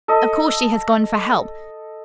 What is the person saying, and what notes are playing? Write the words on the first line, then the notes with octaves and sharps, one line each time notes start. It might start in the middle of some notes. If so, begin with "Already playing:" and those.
Of course she has gone for help.
A4 D#5